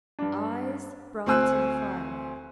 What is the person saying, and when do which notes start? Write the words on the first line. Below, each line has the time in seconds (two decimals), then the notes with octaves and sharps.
EYES--Bright and fiery.
0.19 G2 D4
1.26 D2 C4 C5 G#5 E6 F#6